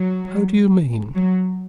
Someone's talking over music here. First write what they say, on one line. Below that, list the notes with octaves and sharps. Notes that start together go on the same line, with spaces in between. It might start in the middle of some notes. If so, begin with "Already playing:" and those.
"How do you mean?"
Already playing: F#3
F#3